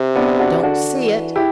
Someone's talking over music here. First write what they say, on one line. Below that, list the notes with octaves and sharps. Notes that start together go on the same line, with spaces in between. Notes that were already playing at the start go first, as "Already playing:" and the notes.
'Don't see it.
Already playing: C3
B3 D4
D4 F#4
D3 D4 F#4
E3
E4 G4